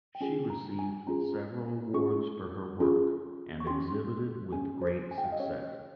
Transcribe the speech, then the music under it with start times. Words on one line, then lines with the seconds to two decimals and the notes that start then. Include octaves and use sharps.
She received several awards for her work and exhibited with great success.
0.15 G5
0.21 C#4 F4 G#4 G#5
0.50 A#5
0.79 G#5
1.07 C#4 F4 G#4 A#5
1.94 C#4 F4 G#4 C#6
2.80 C#4 F4 G#4
3.60 C#6
3.67 C#4 G4 C6
4.52 C#4 G4 G#5
4.82 C5
5.11 G#5
5.18 G5
5.25 F5
5.32 D#5
5.40 C#4 G4 C#5